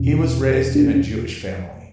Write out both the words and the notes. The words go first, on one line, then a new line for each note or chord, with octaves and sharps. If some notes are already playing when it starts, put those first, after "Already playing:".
He was raised in a Jewish family.
Already playing: E2 B2 C#4
D4
C#4